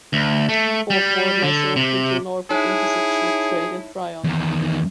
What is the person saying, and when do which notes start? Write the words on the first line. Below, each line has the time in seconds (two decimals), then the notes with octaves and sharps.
Fourth Ward lies directly to the north of the intersection of Trade and Tryon.
0.13 D2
0.49 A3
0.90 G3
1.42 D3
1.76 C3
2.51 D#4 E4 G#4 C#5 A5
4.24 E2 D#3